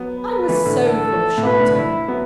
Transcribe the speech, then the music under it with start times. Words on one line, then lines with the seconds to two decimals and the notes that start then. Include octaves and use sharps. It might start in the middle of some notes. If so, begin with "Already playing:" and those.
I was so full of Sholto.
Already playing: F#3 B3
0.18 B4
0.49 E3 A3
0.65 A2 D3
0.82 A4
1.38 A2
1.44 B2 B4
1.60 A2 D3
1.76 E4
2.08 F#3 B3